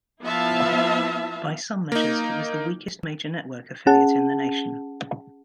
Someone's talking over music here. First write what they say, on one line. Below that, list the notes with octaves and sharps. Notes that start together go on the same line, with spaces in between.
By some measures, it was the weakest major-network affiliate in the nation.
F3 B3 E4 E5 F5 A5
A#3 D#4
C#4 G#4 F#5 A5